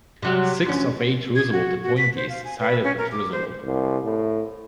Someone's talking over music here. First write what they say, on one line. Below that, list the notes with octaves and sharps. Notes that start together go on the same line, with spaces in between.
Six of eight Roosevelt appointees sided with Roosevelt.
C3 F#3 G4
D2 C#4
G#6
F#4
F#4
B6
C5
F5
G#5
B4
C#4
A#4
D6
C5
C2
A2